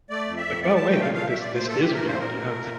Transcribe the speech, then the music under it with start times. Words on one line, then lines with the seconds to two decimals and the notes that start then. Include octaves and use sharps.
Like, "Oh wait th this this is reality, huh?"
0.10 A3 D5
0.27 F2
0.37 E5
0.46 F2
0.62 A3 D5
0.76 A3 A5
0.89 G5
0.97 A#2 F5
1.14 A3 F5
1.28 A#2 E5
1.41 D5
1.50 A3 C5
1.67 A3 A4
1.81 A3 G4
1.94 A#4
2.02 A#2 C5
2.19 A#2 A#4
2.37 A3
2.54 A#2